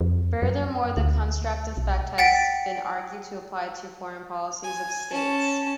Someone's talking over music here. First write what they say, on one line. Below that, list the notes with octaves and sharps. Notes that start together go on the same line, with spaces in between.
Furthermore, the contrast effect has been argued to apply to foreign policies of states.
F2
F#2
D2
B1
F#5 G5 A6 B6 D7
G#5
C#4 A5